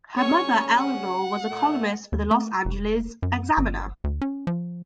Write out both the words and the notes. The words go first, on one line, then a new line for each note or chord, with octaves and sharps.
Her mother, Eleanore, was a columnist for the Los Angeles Examiner.
C#3 G3 C#4 C#5 C#6
F#5
A#2 A3
D#2
A3
F1
F#2
G1
D2
C#4
F3